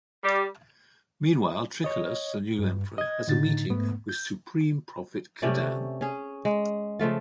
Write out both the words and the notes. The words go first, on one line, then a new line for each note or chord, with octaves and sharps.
Meanwhile, Trioculus, the new Emperor has a meeting with Supreme Prophet Kadann.
G3
C#5 D#5
G2
D#5 G#6
A2 D3 D#4 A6
G#2 A3 B3
G6
C3 A3 C#4 D5
C#4 G#4
G#3
C#3 F3 A3 F4